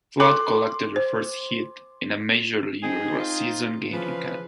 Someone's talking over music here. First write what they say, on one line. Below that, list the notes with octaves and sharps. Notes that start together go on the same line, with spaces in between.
Flood collected the first hit in a major league regular season game in Canada.
A4 C6 D6
C5
F3 C4 D#4 G#4
F4
C#3 E3 F3 B4